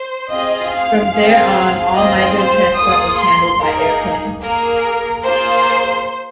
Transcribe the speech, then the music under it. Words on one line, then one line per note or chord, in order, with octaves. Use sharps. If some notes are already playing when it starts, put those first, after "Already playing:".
From there on all migrant transport was handled by airplanes.
Already playing: C5
C4 F4 G#4 D#5
F5
C4 F4 G#4
C4 F4 G#4 D#5
C5
A#3 F4 G#4 D#6
C6
A#3 D#4 G#4 A#4
A#3 G#4 A#4
A#3 F4 G#4 C5